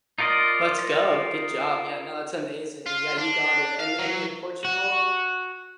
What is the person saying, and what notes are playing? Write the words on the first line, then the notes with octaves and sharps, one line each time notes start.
Let's go. Good job. Yeah. No, that's amazing. Yeah, you got to. And and in Portugal,
D#4 F4 A#4 D5 D#5
F4
D4
F5
F#3
F#4